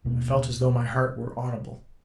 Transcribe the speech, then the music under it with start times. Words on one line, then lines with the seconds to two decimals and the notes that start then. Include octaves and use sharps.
I felt as though my heart were audible.
0.05 D#2 B2 A#3 B3